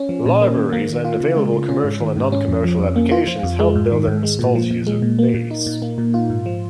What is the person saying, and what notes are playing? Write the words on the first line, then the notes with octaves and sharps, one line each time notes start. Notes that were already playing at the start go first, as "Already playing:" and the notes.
Libraries and available commercial and non-commercial applications help build an installed user base.
Already playing: C#4
F3
A#2
A#3
D#3
A#3
D#3
F4
C#3
G#3
C#3
C#4
G#2
D#3
G#2
C#4
F2
F3
F2
A#3
F4
F3
F2
G#3
G#2
D#3
G#2
G#3
A#2
F3
A#2
G#3
A#2
A#3
A#2
D#4
A#2
A#3
A#2
F4
G#2
F3